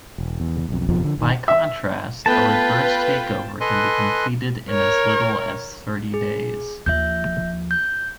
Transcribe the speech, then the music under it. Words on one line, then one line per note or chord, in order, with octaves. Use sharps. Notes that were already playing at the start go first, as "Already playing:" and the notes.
By contrast, a reverse takeover can be completed in as little as thirty days.
E1
E2
B1 F2
F#1 F2 B2 F3
D3 F3
G1 D#3
E5
A3 B3 F4 B4 G5 A5
A4 B4 D#5 G#5 C6 F#6
A#4 C#5
G#4
D#2 F3 E5 G6
G6